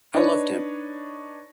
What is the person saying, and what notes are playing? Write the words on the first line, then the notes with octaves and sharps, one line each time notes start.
I loved him.
D4 D#4 B4 C#5